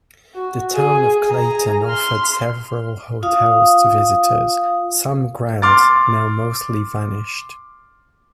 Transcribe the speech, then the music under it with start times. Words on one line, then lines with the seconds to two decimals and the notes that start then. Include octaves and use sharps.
The Town of Clayton offered several hotels to visitors, some grand, now mostly vanished.
0.35 F#4
0.75 G#4
1.28 G#4 A#5
1.86 C6 F6
3.23 F4 F5 D#6
5.62 C6 D6 F6 A6